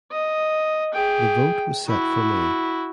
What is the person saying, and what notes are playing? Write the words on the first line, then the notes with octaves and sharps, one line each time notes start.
The vote was set for May.
D#5
G#4 G5
E4 F#4